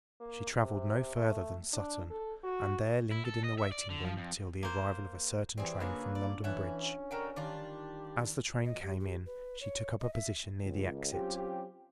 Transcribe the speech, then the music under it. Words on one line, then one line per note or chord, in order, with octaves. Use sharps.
She travelled no further than Sutton, and there lingered in the waiting room till the arrival of a certain train from London Bridge. As the train came in she took up a position near the exit.
A#3
C3
A3
D4
A4
F#4
E4
A4
D#5
E5
D5
D3
F3
F2
A#3 C5
E3 G3 C4 G#4
C#3 F#3 A#3 D4 F4 G#4 B4 E6
D5
E3 C#4 A4 E5 F#5 G#5
D3 F#4 A#4 G5
D#3 G3 D4 F4 G4
D#5
G4
G4
B4
C#5
D#5
E5
C#2
F#3 C4 C#4 F4 G4